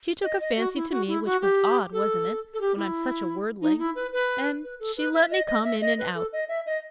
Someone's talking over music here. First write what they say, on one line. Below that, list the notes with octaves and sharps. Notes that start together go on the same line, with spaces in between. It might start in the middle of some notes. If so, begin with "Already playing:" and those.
She took a fancy to me--which was odd, wasn't it, when I'm such a worldling?--and she let me come in and out.
D#5
D#5
F#4
E4
F#4
E4
F#4
G4
A4
A4
G4
E4
D#4
E4
B4
B4
B4
A4
B4
E5
D#5
D#5
E5
D#5
B4
A4
D#5
E5
D#5